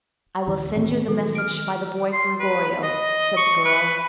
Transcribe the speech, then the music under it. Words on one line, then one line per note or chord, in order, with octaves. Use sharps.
"I will send you the message by the boy Gregorio," said the girl.
A1 D2 E3
A2 D#3 C4
D#3 F#3 A4
F6 D7
C6
B4
D#5
C#6
B4